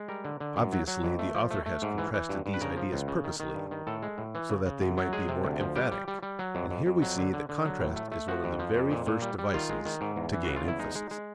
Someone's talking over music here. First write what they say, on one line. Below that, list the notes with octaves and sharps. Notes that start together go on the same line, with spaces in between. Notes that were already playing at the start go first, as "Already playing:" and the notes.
Obviously, the author has contrasted these ideas purposely, so that they might be more emphatic, and here we see that contrast is one of the very first devices to gain emphasis.
Already playing: G#3
G3 A#4
D3
D3
F#2
F#3
F#3
F2
A3
F3
A3
A3
G#2
E3
E3
G2
G2
B4
C#3 A#4
F3
C#2
C#3
D#3
D#3
G2
D#3
A2 A4
G#3
A2
E3
C#3
C#3
F#2
F#3
G#3 G#4
C3
D2
F3
G3 G4
G3
G3
G3
F#3
F2
F2
F2
F#3
D3
D3
D3
F#3
A2
A3
A3
F3 F#4
F2
F3
F2
A#2
A#2
G3
G3
D#3 F4
G#3
D#3
G#2
E2
E3
C#3 F#4
F4
E2 E4
G#3 D#4
G#3
G#3